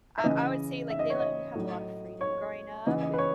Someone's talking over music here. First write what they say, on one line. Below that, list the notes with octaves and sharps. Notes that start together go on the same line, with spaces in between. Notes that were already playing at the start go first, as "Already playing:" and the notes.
I I would say, like, they let me have a lot of freedom growing up, and
E5
C#3 E3 D#5
E5
D#5
C#5
D#5
A2 F#3
C#5
C#3 E3 D#5
D#5
B4
C#5